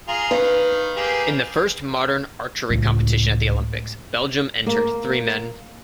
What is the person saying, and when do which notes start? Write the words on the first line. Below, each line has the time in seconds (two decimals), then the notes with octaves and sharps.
In the first modern archery competition at the Olympics, Belgium entered three men.
0.08 F4 G#4 A#5
0.31 D#3 B4 F5
0.96 A#3 G4 G#4
2.70 C#2 A2
4.67 A#3